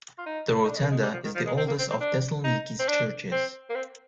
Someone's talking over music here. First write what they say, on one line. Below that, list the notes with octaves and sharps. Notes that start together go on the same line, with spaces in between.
The Rotunda is the oldest of Thessaloniki's churches.
F4
D#4
D#4
D4
G#3
A#3
G#3
G3
F3
D#3
F3
G#3
C4
A#3
C4
C4
D4
D#4
C4
D4
C4
A#3
C4